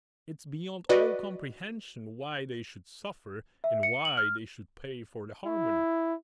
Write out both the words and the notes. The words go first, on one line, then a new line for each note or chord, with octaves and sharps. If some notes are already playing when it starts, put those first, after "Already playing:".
It's beyond all comprehension why they should suffer, and why they should pay for the harmony.
F#4 B4 D5 D#5
E5
C#7
F#7
F6
E4